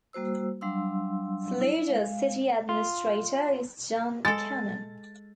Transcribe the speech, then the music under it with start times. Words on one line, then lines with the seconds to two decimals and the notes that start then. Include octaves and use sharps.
Saluda's City Administrator is Jon Cannon.
0.13 G3 A#3 F#4 C5 E6
0.61 F#3 G3 D4 F5 C6 E6
1.61 E4
1.88 G#3 F5
2.69 F4
4.25 G#3 A4 A6